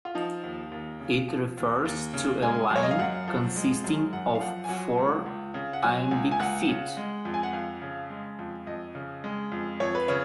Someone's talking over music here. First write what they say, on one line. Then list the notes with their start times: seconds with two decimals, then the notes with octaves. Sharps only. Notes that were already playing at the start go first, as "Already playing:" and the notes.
It refers to a line consisting of four iambic feet.
0.05 F4
0.15 F3 D#4
0.44 D#2
0.72 D#2
1.00 C#3
1.28 F3
1.57 D#2
1.85 D#2
2.14 C#3
2.42 G#3 G#5
2.71 F#2 C#5
2.83 D#5
2.91 F5
2.99 F#2 F#5
3.28 F3
3.56 G#3
3.84 F#2
4.13 F#2 F#5
4.35 F5
4.40 F3 F#5
4.64 G#5
4.69 F#3 F#5
4.98 C#2
5.26 C#2
5.54 C#3
5.73 F#5
5.83 F#3 G#5
6.11 C#2
6.31 G#5
6.40 C#2 F#5
6.68 C#3
6.97 G#3
7.25 F2
7.34 G#5
7.43 F#5
7.53 F2 F5
7.82 C#3
8.10 G#3
8.39 F2
8.67 F2 D#5
8.95 C#3
9.24 G#3
9.52 F2
9.80 F2 C#5
9.95 B4
10.08 C#3 C#5